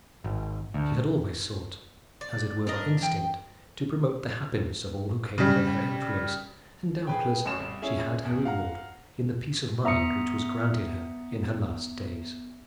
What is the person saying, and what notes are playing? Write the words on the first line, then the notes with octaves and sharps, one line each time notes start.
She had always sought, as it were by instinct, to promote the happiness of all who came within her influence, and doubtless she had her reward in the peace of mind which was granted her in her last days.
G#1
D2
D5
C4 D4 A#4 D#5
E3 G5
C#3 G3
G#4 B4 G5
A1 F#2 C#5 E7
C2
C#4 E4 G#4
E2
F5 F#5 A#5
B3 E5 A#5 D#6 C#7